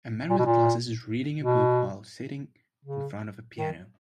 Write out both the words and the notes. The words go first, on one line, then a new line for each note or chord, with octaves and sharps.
A man with glasses is reading a book while sitting in front of a piano.
A#2
B2
A#2
B2
C#3
D#3